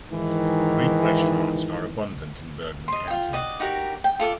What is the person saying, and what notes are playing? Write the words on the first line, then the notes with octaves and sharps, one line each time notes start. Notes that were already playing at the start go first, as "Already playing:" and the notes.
Greek restaurants are abundant in Bergen County.
G#2 D#3 E3
D#5 C6
F4 G5
F#4 D5 D#5
D#4 F#4 G4 A#4
G5
F4 A4 D5